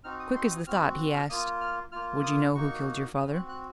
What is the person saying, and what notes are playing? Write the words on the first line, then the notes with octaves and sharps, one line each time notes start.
Quick as the thought, he asked, "Would you know who killed your father?"
C4 D#4 F#4 F6
D#6
C6
D#6
C4 F#4 F6
F#6
F6
A#3 F4 D#6
F6
A#3 F4 F6
D#6
A#3 D#4 F#4 C#6
C4 F#4 D#6
F#6
F#6